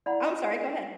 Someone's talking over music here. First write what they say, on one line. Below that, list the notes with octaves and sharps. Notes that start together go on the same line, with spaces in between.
Oh, I'm sorry, go ahead.
E4 D5 F#5 B5